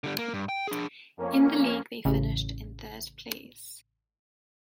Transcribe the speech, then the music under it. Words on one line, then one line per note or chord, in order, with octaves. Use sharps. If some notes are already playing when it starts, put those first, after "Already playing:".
In the league, they finished in third place.
D3 G3
A#3
G2
G5
D4 G#4
F2 A#3 C#4
A1 C#3